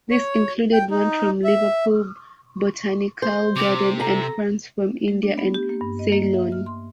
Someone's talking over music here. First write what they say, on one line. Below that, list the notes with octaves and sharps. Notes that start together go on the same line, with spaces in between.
These included ones from Liverpool Botanical Garden and ferns from India and Ceylon.
C#5
G5
D#4
E5
C5
C3 D6
A4 A#5
A3
D4
B3
G4
A#3
G2
D#5
A#3
E5
F6
C6